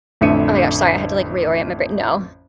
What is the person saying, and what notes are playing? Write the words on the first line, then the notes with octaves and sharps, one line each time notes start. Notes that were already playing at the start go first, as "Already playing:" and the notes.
Oh, my gosh, sorry. I had to, like, reorient my br No.
A1 F2 D3 E5 C#7 D#7